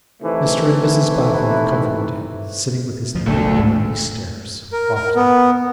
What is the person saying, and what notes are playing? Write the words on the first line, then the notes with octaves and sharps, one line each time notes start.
Mr and Mrs Boffin have comforted him, sitting with his little book on these stairs, often.'
C3 D#3 E3 A3
D2 F3
F#1 D#2 D#3 A3 D4
G#2 G#3 A3
A#4
A#4
B3